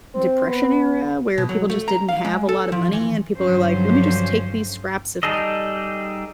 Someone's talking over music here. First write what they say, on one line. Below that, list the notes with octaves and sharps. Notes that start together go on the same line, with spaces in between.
Depression era where people just didn't have a lotta money and people are like, "Let me just take these scraps of pa
C4
B3
B2
F#3
A3
A#5
F5
G#3
A4
F3
E3
G2 D3 F3 F#3 C#4 C5
G3 D#4 G#4 A4 D#5